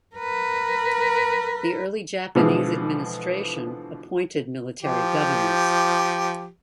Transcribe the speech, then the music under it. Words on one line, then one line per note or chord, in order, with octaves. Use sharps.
The early Japanese administration appointed military governors.
A#4 B4
B2 D3 E3 F3 G#3
F3 G4